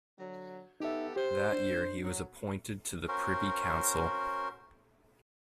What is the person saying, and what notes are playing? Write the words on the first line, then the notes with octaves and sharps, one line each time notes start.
That year he was appointed to the Privy Council.
D3 F#3
B3 D#4 G4 A4 E5
G4 C5
D4
F#3
C#4 F#4 A#4 C5